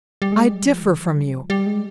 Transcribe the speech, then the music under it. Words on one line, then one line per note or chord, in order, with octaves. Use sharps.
'I differ from you.
G3
G#3
G3
F3
D#3
F3
G3
F3
G3
G#3